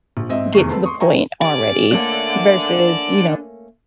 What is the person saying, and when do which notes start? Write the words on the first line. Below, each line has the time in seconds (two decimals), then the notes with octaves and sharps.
"Get to the point already," versus, you know,
0.17 A#1
0.29 G#1 C4 D#5 E5
0.54 F1 E2 D#3 C#6 C7
0.69 B3 C4 A4 B4
0.84 C6 C#6 D#6
1.00 E5 G5 G#5 A#5 C#6
1.42 C#4 G4 D5
1.92 A3 A#3 C#4 D4 A4